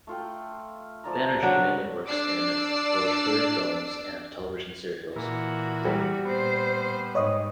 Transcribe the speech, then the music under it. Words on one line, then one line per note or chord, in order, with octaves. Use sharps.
Banerjee mainly works in Bhojpuri films and television serials.
A3 F4 G5
F3 D5 A#5
C#3 F#3 D4
D4 D5 D6 E6 C7
A#2 E3 F#4
G3
A#2 B3 C5
G#2 C#5 D#5 D#6